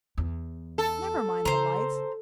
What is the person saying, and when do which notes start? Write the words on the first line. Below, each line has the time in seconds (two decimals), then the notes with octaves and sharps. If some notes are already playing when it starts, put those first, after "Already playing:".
Never mind the lights.
0.18 E2
0.78 A4
1.45 C#3 C5 A#5